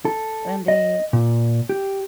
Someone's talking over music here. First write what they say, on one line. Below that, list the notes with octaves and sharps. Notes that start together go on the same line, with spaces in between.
And the
A4
D#5
A#2
G4